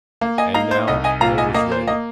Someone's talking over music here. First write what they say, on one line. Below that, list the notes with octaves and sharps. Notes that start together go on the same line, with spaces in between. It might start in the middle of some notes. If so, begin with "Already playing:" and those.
And now all was ready.
A#3
D#5 G#5
D#4 F5 A#5
C5
C2 D#5
D#5 G#5
A#2 F5 A#5
D#5 G#5
A#3 D#5
C5
A#3 D#5